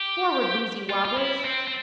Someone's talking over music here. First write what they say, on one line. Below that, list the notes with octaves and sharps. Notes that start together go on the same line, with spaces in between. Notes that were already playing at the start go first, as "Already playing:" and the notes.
Forward, woozy wobblers!
Already playing: G4
F4
F4
E4
C4
C4